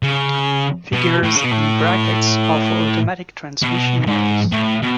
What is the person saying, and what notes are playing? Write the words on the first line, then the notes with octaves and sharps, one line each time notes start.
Figures in brackets are for automatic transmission models.
C#3
B2
A2
C#3
B2
A2
B2
G#2
A2
B2